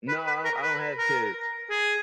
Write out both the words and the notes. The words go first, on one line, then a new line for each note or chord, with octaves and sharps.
No, I don't I don't have kids.
B4
B4
A#4
B4
A#4
G#4